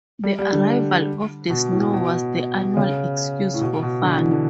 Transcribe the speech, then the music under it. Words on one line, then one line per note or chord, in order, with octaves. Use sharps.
The arrival of the snow was the annual excuse for fun.
G3
G3
D3
B2
A2
B2
C#3
A2
B2
B2
D3
E3
D3